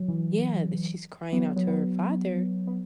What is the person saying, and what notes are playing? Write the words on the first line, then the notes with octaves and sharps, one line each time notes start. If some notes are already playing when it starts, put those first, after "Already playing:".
yeah, that she's crying out to her father
Already playing: F#3
E3
F#3 B3
F#3 B3
F#3 B3
B3